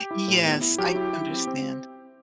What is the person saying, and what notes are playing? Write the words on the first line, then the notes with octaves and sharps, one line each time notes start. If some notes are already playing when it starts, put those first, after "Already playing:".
Yes, I understand.
Already playing: G4
E4
A2
B3
E4
F#3 G4
E4
E4
C4
C4